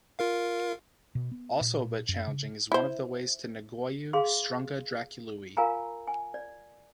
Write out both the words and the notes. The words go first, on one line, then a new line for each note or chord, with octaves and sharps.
Also a bit challenging is one of the ways to Negoiu - Strunga Dracului.
F4 A#4 F5
B2
B3
A#2
F#2
C#3
E4 C5
G#4 F5 C6
F4 A#4 F5 G#5 A#5
G#5
D5